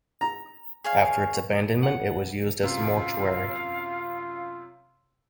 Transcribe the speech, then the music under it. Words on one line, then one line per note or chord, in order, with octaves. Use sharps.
After its abandonment it was used as a mortuary.
A#5
G#4 C#5 F5
F#5
F#2 C3 F4 F5